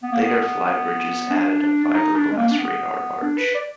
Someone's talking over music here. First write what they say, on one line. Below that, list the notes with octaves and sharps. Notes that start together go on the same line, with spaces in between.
Later flybridges added a fiberglass radar arch.
B3
A#3
B3
D4
D4
D4
D#4
D4
G#3
A#3
D4
B3
D4
B4
D5